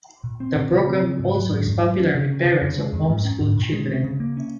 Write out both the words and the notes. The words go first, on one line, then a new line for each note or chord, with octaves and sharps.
The program also is popular with parents of home-schooled children.
A#2
C4
A#2
C#3
C4
C#3
G#2
F#3
G#2
F2
F#3
C#4
C#3
C#4
C#3
F2
G#3
F2
G#2
C#4
G#2
A#2
G#3
C#4
C#3
A#3
C#4